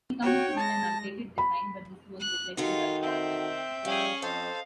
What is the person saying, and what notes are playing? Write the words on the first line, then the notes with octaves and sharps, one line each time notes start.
He commissioned an updated design, but this was rejected by Coleman.
F#4 C#5 G5
G#3 A5 A#6
B5
F#6
D#3 D#4 F4 F#4 A4
C4 E5 G5 G6
F3 G3 C#4 G#4
F2 A4 C5 D#5 F5